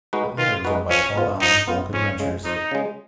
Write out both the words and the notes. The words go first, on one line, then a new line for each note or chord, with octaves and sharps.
It later was owned by Paul Allen's Vulcan Ventures.
G#3 D#4 F#4 B4
D#3 F4
G#3 D#4 F#4 B4
F3 C#4
B3 F4
F3 D#4
B3 F4
F2 C#4
C#3 G#3
F2 D#4
C#3 G#3